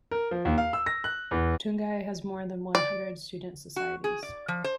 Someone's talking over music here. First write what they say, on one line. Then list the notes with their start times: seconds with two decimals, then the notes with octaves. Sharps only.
Tunghai has more than one hundred student societies.
0.11 A#4
0.31 F3
0.45 D#2
0.58 F5
0.73 E6
0.86 A#6
1.04 F#6
1.31 E2
2.75 D5
3.76 F#4
4.04 G#4
4.23 D5
4.48 F3
4.64 C5